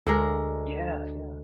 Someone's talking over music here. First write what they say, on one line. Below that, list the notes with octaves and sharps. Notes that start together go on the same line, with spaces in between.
Yeah, yeah.
D2 D3 G#3 A#4